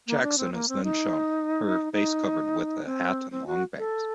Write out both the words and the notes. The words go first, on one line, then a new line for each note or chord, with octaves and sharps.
Jackson is then shown, her face covered with a hat and long bangs.
A#3
D4
C4
A#3
C4
D#4
D#4
C4
C4
F#4
A4